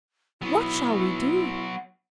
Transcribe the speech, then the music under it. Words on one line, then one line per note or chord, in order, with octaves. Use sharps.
What shall we do?
F#3 B3 E4